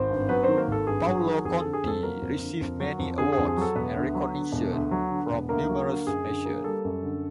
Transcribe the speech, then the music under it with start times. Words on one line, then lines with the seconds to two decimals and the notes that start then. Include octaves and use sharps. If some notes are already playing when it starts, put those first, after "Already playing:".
Paolo Conte received many awards and recognitions from numerous nations.
Already playing: G#1 C4 C5
0.10 G2
0.29 F#3 B3 B4
0.43 D#3 C4 C5
0.58 A#3 A#4
0.68 G#1 A4
0.87 G2 G#4
1.06 F#3
1.26 D#3
1.45 F2 G#4
1.59 D3 A4
1.73 G#4
1.84 F2 A4
2.03 F#3 A#3 A#4
2.22 F2
2.41 D3
2.61 F2
2.80 F#3
2.99 F2
3.18 D3 G#4
3.33 G#4
3.38 F2
3.47 G#4
3.57 F#3 A4
3.76 E1 B3 B4
3.95 D2
4.15 F#3
4.34 D3
4.52 E1
4.72 D2
4.91 F#3
5.11 D3
5.30 E1
5.49 D2 A#3 A#4
5.69 F#3
5.88 D3
6.07 F#2 G#4
6.27 D3
6.45 A#3
6.64 G3 A4
6.85 F#2
7.03 D3